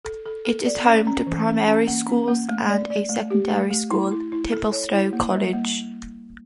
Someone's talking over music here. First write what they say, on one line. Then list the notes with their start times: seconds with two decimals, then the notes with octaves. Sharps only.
It is home to primary schools and a secondary school; Templestowe College.
0.05 A4
0.26 A4
0.45 A4
0.66 D5
0.87 C#4
1.07 C#4
1.27 E3
1.48 C#4
1.67 C#4
1.87 A#3
2.09 C#4
2.28 A#3
2.49 A3
2.69 D5
2.90 D5
3.09 A3
3.30 G4
3.50 A3
3.70 A3
3.91 E4
4.12 E4
4.32 E4
4.52 A4
4.72 C#5
4.92 E4
5.13 A#3
5.33 G3
5.53 A#3